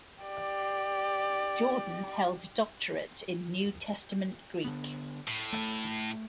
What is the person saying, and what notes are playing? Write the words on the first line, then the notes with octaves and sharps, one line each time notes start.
Jordan held a doctorate in New Testament Greek.
G4 D5
D3 B3
A2
A3